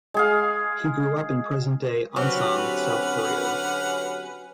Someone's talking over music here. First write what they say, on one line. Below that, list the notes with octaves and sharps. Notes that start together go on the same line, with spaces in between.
He grew up in present-day Ansan, South Korea.
G#3 G#4 F5
D3 F#3 C4 C#4 G4 B4 F#5 F6